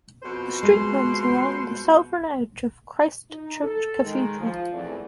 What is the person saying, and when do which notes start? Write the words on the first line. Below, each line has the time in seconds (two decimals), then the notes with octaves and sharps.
The street runs along the southern edge of Christ Church Cathedral.
0.23 F2 B2 C5
0.63 G#3 C6
3.31 D#4
3.63 A4
4.03 D#3 G#3
4.39 F3
4.72 E2 E3 A3 C4 D5